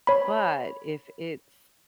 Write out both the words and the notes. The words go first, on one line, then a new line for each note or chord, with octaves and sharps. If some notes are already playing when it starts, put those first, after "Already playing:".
But if it's,
C#5 B5